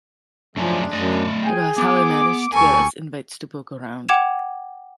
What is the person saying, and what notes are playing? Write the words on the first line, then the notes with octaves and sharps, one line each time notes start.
It was how I managed to get us invites to poke around.
F#2 F3 G#3 A3 C#4 D4
F#2 A3 D5 D#5
G#4 G5 G#5
B3 D6
D2 A#3 G4 A4 G#5 C#6
F#5 G5 D6 G#6 E7 F7